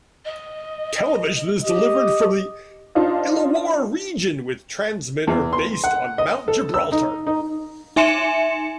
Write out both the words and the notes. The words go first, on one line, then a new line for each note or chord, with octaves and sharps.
Television is delivered from the Illawarra region with transmitter based on Mount Gibraltar.
D#5
G4 D#5
D4 D#4 F4 C5 D#5
E2
C6
F#5
D#5
A4
E6
D#4
D#4
D#4 E5 G#5 C6 C#7 E7